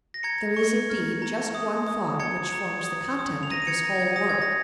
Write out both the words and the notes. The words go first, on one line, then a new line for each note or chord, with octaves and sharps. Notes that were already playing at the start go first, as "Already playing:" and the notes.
There is, indeed, just one thought which forms the content of this whole work.
A#6
A#5 G#6 C#7
C#6
F6
A#5
D#6
D#6
A#5 G#6 C#7
A#5
D#6
D#6
F7
A#5 A#6 D#7
D#7
G#6 C#7
A#5 A#6
G#6
D#6 A#6
G#6
A#6